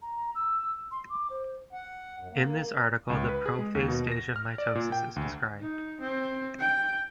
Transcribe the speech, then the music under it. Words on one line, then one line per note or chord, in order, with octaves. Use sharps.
In this article the prophase stage of mitosis is described.
A#5
E6
C6
D6
C5
F#5
F#2
A#3
C#2
B4
G#4
G#3
D#2
B2
A#6
F6
D5
A#2
G5
D2
D#4
C4
G5